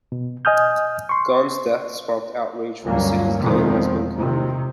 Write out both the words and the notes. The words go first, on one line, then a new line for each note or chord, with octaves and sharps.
Gunn's death sparked outrage from the city's gay and lesbian community.
B2
D#5 G#5 D#6 F6 G6
C6 C#6
D2 G2 F#3 A#3 C#4
E2 B2 D#3 F3 G#3 C4
C3 D#3